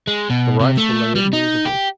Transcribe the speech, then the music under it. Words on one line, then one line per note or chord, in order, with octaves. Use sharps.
The rifle lay immovable.
G#3
B2
C3
A3
G3
D#4
G4